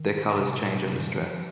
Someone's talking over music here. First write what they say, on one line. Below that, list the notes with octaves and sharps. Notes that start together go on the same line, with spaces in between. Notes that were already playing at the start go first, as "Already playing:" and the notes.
Their colors change under stress.
Already playing: D#3
C3
A#2
C3
D#3
F3